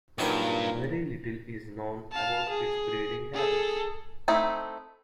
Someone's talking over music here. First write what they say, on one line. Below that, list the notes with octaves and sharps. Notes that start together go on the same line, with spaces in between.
Very little is known about its breeding habits.
G2 A#2 F#3 D#4 A#4 B4
F5 A5
G#4
G#4 A4
A3 C4 D#4 E4